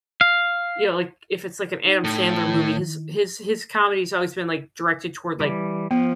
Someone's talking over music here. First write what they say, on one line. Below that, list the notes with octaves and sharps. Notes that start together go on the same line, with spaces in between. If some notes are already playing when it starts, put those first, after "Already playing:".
you know, like, if it's, like, an Adam Sandler movie, his his his comedy's always been, like, directed toward, like
F5
D#4
A2
D#3 E4
E3 G3
F3 B3